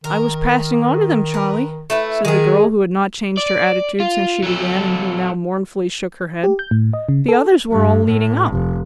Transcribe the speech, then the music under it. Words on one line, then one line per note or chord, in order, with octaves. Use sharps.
'I was passing on to them, Charley,' said the girl, who had not changed her attitude since she began, and who now mournfully shook her head; 'the others were all leading up.
D#3 A#4
A#4 B4
A3 E4 B4
D#3 G#3 G#4
D5
F4
F#3 A4
G4
G6
A2
D#5
C#3
A4
G2
A2
F1